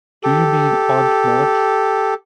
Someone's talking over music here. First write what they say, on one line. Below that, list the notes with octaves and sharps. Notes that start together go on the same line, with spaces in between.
Do you mean Aunt March?
G4 A4